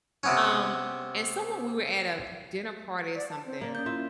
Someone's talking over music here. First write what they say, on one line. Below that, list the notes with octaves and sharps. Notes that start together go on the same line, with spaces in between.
um, and someone we were at a dinner party or something,
C3 B3 C#4
D5
A5
C4
A#3 D5
C#4 D5 G6
E4 F4 E5